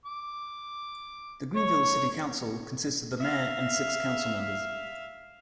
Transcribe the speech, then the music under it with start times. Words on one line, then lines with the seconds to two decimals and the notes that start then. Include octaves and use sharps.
The Greenville City Council consists of the mayor and six council members.
0.06 D6
1.56 C#5
3.18 E5 F5